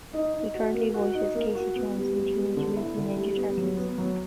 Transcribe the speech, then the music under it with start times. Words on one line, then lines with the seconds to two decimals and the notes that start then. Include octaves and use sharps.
He currently voices Casey Jones in "Teenage Mutant Ninja Turtles".
0.13 D#4
0.34 D#4
0.54 F#4
0.74 A#3
0.94 F#4
1.14 D#4
1.35 A#3
1.55 F#4
1.76 B3
1.96 G3
2.16 G3
2.36 B3
2.57 D3
2.76 E4
2.97 D3
3.17 G3
3.37 B3
3.58 F#3
3.77 B3
3.98 F#3